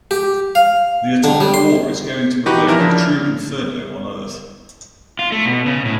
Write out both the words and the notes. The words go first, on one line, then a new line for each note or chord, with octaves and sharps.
The atomic war is going to provoke a true inferno on Earth.
G4
F5
D3
G3
C6
E3 D#4 F#4 G4 B4
E2 F3 E4 A#4 F6 A#6
C#3 F3 D4
F6
F4
A3
B2
C#3
A2